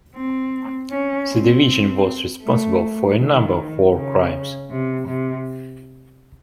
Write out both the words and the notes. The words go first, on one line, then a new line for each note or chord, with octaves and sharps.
The division was responsible for a number of war crimes.
C4
C#4
C4
A3
D#3
C#3
C3
C3